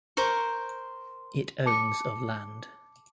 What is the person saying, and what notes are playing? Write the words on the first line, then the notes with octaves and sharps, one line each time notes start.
It owns of land.
A#4 C5 C#6
A5 D6 C#7